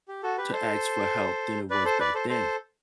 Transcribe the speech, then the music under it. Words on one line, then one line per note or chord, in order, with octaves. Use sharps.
to ask for help than it was back then?
G4
F#4 A4
G4 B4
A4 C5
B4 D5
A4 C5
B4 D5
A4 C5
A4 C5